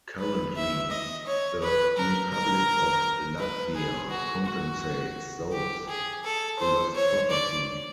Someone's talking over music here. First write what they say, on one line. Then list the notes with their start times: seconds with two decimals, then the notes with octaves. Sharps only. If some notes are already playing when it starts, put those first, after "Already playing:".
Currently, the Republic of Latvia compensates those who lost property.
0.19 B4
0.56 E5
0.91 D#5
1.27 C#5
1.62 B4
1.97 A#4
2.33 A#4
3.39 B4
3.75 G#4
4.10 F#4
4.46 F#4
5.52 G4
5.88 G#4
6.24 A4
6.59 C5
6.95 C#5
7.30 D5